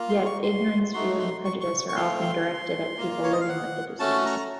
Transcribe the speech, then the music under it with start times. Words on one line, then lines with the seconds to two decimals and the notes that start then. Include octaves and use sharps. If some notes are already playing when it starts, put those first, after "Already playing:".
Yet, ignorance, fear and prejudice are often directed at people living with the disease.
Already playing: A#3 F4
0.09 C6
0.26 C#6
0.43 C6
0.94 A3 D#4 F#4 C6
1.19 C6
1.45 C#6
1.61 C#6
1.89 C#6
1.96 A3 C4 F4 C6
2.21 C6
2.98 A#3 F4
3.24 C#5
3.32 D#5
3.41 F5
3.49 F#5
4.00 A3 C#4 F#4 A5
4.26 A#5